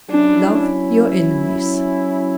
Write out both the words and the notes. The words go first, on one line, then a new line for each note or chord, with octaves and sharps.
Love Your Enemies.
F#3 C#4 D4 E4